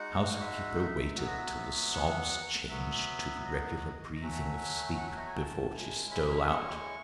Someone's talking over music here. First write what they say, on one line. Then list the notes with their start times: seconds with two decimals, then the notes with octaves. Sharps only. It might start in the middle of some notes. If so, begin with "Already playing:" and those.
The housekeeper waited till the sobs changed to the regular breathing of sleep before she stole out.
Already playing: G#3 D#4 F#4 F#5
0.41 E5
1.17 F#3 B3 F#4 E5
1.27 D#5
1.38 E5
1.94 F#5
2.69 F#3 B3 F#4 E5
3.46 D#5
4.16 D#5
4.21 F#3 A3 C#4 F#4 E5
4.98 F#5
5.07 E5
5.16 D#5
5.26 G#5
5.36 A5
5.73 G#3 C#4 E4
6.11 B5
6.50 C#6